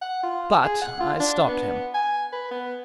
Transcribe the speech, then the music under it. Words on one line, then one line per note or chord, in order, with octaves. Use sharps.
But I stopped him.
F#5
F4
G#4
F#5
F4
D4
B3
G#5
B4
B3